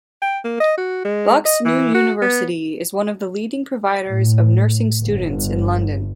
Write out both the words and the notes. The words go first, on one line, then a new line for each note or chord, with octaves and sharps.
Bucks New University is one of the leading providers of nursing students in London.
G5
A#3
D#5
F#4
G#3
D#5
E3
F#4
B3
A2
G1